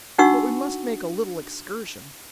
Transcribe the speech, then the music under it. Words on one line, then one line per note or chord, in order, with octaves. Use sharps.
But we must make a little excursion.
D4 D#4 F#4 F#5 C#6 E6